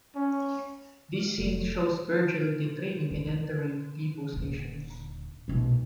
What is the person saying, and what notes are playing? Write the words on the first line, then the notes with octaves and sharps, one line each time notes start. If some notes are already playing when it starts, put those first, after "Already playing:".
This scene shows Virgil detraining and entering the depot station.
C#4
F1 F#3 A3
F2
D3
D#1 D3
B1 A#2